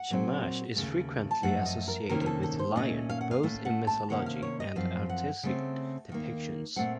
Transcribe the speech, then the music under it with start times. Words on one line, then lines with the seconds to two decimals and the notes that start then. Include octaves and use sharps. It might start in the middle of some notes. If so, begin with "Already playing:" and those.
Shamash is frequently associated with the lion, both in mythology and artistic depictions.
Already playing: F#5
0.10 A#2 F#3 C4
0.76 D#2 C#3 A3
1.31 A5
1.43 F#2 F3 A3 F#5
1.65 D#5
1.88 A#4
2.09 C3 D#3 A#3 C#4 A#4
2.21 A#4
2.26 A4
2.43 A4
2.59 C5
2.76 A#2 A3 C#4 D#5
3.09 F5
3.21 F#5
3.31 F5
3.43 A2 A3 C#4
3.65 F#5
3.87 A5
4.10 C3 D#3 A#3 C#4 F#5
4.26 F5
4.42 C#5
4.60 D#5
4.76 F#2 F3 C4 F5
5.10 F#5
5.43 C#3 A3 C4
6.09 D#2 D#3 A#3
6.76 A#2 A3 C4 F#5